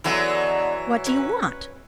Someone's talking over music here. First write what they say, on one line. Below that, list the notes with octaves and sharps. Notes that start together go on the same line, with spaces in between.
"What do you want?"
D3 E3 F#3 G#3 B3
C#4 B4